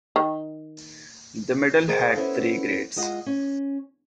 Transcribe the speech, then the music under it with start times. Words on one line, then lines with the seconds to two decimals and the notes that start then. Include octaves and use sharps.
The medal had three grades.
0.16 D#3
1.88 G#4 A#4 C5 D#5 F5
2.15 B3 C#4 E4 A4 B4 C5
2.96 G#3 F4 D#5 F#5
3.26 C#4